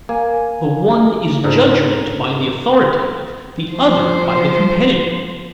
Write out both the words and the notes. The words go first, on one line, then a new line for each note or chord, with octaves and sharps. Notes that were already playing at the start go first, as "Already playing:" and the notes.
The one is judgment by the authoritative, the other by the competitive, method.
A#3 G#5
C#2 G#2 D3 A#4
F3 C5